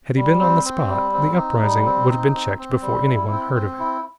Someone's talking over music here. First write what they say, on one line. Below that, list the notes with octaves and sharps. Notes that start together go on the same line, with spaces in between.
Had he been on the spot, the uprising would have been checked before any one heard of it.
G3
C4
C4
G3
C4
D#4
G3
C4
D#4
C4
C4
G3
E4
C4
C4
E4